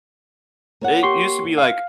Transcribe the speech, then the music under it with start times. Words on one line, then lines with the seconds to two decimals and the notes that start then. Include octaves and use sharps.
it used to be like,
0.81 A#3 C#5 F#5
1.03 G4 C6 C#6
1.58 F5